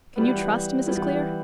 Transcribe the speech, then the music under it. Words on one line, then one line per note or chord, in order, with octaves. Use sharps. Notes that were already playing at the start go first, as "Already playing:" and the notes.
"Can you trust Mrs. Clear?"
E3 G3 B3
E3 G3 B3